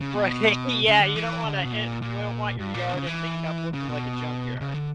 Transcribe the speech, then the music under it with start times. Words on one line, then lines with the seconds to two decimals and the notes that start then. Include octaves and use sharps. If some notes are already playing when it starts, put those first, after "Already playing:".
Right, yeah, you don't wanna end you don't want your yard ending up looking like a junkyard.
0.01 C#3
0.15 B2
0.88 C#3
1.01 D3
1.16 E3
1.44 D3
1.53 C#3
1.64 B2
1.72 A#2
2.02 A#2
2.59 G2
2.74 A#2
2.88 B2
2.93 D3
2.97 C#3
3.07 E3
3.74 C#3
3.88 B2
4.61 C#3
4.74 D3